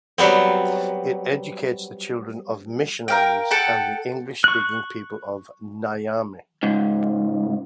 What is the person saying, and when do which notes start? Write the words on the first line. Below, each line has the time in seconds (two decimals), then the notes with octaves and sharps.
It educates the children of missionaries and the English speaking people of Niamey.
0.18 F#3 G3 B3 C4
3.08 A#4 F5 G5
3.51 A4 F#5 G5 A5
4.44 C#6 F#6
6.63 C#2 G#2